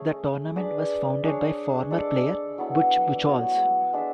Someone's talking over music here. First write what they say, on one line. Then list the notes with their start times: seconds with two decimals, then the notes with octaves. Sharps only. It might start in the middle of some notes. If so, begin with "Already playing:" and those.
The tournament was founded by former player Butch Buchholz.
Already playing: A3 C#4 G#4
0.56 D4 G#4 B4 D5
1.24 D4 G#4 C#5
1.91 G#3 D4 A4 D5
2.58 F#3 B3 E4 A4
3.26 B3 F#4 C#5
3.93 G#3 D4 A4 E5